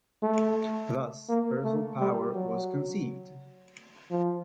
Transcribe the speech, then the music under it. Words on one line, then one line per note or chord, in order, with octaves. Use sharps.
Thus, Persil Power was conceived.
A3
A#3
A3
G3
F#3
F3